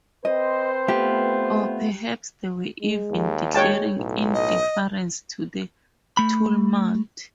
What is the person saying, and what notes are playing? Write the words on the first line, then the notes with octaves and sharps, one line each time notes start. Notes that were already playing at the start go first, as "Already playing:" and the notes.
Or perhaps they were even declaring indifference to the tumult.
C4 B4 C5 D#5
A3 B3 F4 G4
G#3
D#2
G#3 C#5 G5 A5
B1 A2
D#5
A3 B5